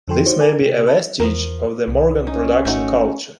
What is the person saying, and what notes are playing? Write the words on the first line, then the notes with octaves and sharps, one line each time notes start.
This may be a vestige of the Morgan production culture.
F2 D3 F3 A4 G5 C6
D#4 F#4 G4 C5 C#5
A4 A#4 G#5 D6
C3 G4
B4 A5
E2 F3 A#4
C2
C#4 D#4
G#1 A3 D#4 F#4